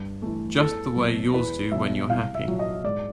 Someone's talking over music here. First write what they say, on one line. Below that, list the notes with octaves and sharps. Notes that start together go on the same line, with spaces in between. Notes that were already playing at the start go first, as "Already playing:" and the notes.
Just the way yours do when you're happy.
Already playing: G2
E3 A3
E2 A4
B2 F#3
E2 B4
B2 F#3 E5
C2 F5
E5
A#2 F#3
D#5
G#2 D5